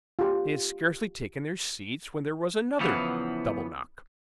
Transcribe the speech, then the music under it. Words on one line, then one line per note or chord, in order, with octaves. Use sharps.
They had scarcely taken their seats when there was another double knock.
F4 G4
E2 C#3 E3 F3 B3